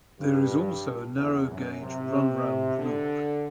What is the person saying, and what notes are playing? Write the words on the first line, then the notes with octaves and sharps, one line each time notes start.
There is also a narrow gauge run-round loop.
G2
E2
F#2
C3
D3